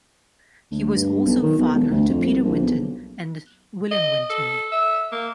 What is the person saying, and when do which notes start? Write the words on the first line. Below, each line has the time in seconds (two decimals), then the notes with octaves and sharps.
He was also father to Peter Winton and William Winton.
0.71 D2
0.95 G2
1.25 B1
1.43 D#3
1.59 B1
1.73 E1
1.91 D2
2.08 F2
2.25 C2
2.44 A#1
2.62 B1
3.91 D#5
4.30 A4
4.72 E5
5.12 A#3